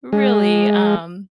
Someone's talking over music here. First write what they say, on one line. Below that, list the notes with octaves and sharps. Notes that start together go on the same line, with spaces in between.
really, um,
G#3